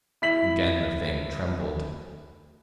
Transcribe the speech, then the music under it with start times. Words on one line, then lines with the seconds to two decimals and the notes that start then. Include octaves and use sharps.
Again the Thing trembled.
0.22 E4 B6 F#7